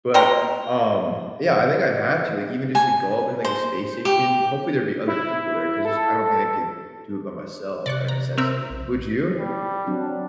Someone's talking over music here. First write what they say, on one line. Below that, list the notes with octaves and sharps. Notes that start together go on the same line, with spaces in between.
but, um, yeah, I think I'd have to, like, even just to go up in, like, a space station, hopefully, there'd be other people there 'cause there's I don't think I could do it by myself out of necessity. Would you?
B2 G5 A#5 C6
G#5
C5
G4
E4
A4
C3 D5 C#6 F#6
A#5
C4 A#4 E5
A#1
G3
F#3 C4 D4